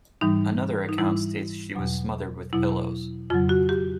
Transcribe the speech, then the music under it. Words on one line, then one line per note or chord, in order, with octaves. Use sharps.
Another account states she was smothered with pillows.
G#2 E3 G3 D#4
D#4
G#2 E3 G3 E4
E2 B2 F#3
E2 B2 F#3 E4
F2 C#3 F#3 F4
F#4
G4